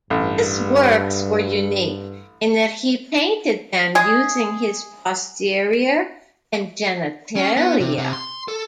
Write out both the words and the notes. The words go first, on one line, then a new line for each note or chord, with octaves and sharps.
His works were unique in that he painted them using his posterior and genitalia.
A1 G2
G#3 G#4
C#4
B3
C3
C3
C6
A4